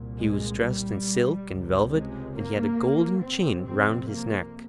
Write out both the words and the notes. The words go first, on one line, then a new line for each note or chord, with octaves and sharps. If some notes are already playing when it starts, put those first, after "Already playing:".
He was dressed in silk and velvet, and he had a golden chain round his neck.
Already playing: C2 A#2
G#3
G3
C#2 C3
G#3
A#3
F2 C3 C4
C4
A#3